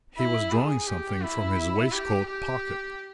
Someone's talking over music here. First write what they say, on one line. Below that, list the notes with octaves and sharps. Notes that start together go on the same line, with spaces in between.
He was drawing something from his waistcoat pocket.
E4
G#4
G4
E4
G4
G4